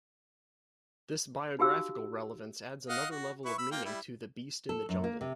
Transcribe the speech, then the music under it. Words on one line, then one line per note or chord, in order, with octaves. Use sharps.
This biographical relevance adds another level of meaning to The Beast in the Jungle.
D#4 F#4 G4 F5 E6
D#5 F5 F#5
F#4
E4 B4 C#6
B5 E6
A#3 F4 G5
G3 E4
A4
F#2
A#3
C3